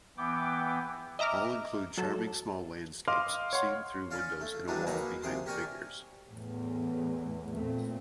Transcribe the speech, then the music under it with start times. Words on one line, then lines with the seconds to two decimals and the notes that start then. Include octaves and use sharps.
All include charming small landscapes seen through windows in a wall behind the figures.
0.17 E3 B3 G5 D6
1.19 D#5 E5 A#5 D6 F6
1.97 F#3 A4
3.08 D#5 F5 C6 D6 F6
3.53 C#5 F#5 C6
4.11 C#4 C#5 D5 F5
4.41 A3
4.68 G2 D#3 E3 F#3 G#3 D4
4.87 F#3 A#3 D#4 G#4 B4
5.22 A#1 C3 G#4 C6
5.46 G4 A#4 C#5 D5 G#5
6.27 E2 A2
7.56 A#2 A3 C4